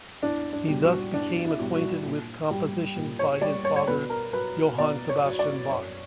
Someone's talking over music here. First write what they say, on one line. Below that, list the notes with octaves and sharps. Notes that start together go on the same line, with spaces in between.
He thus became acquainted with compositions by his father Johann Sebastian Bach.
E2 D4
D4
B2 G3
F#4
E2 D4
E4
B2 G3
F#4
A#2
G3
A#2
C#5
G3 D5
C#5
C#5
B2 B4
A#4
F#3 B4
B2 D5
C#5
F#3
D5
F#2 C#5